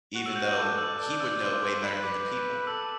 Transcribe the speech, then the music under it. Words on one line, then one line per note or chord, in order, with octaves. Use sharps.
even though he would know way better than the people.
F#4 F#6
E6
G6
E6
A4 D6
E6
D5 E6
E6
C5 D6
B4
D6
A4 E6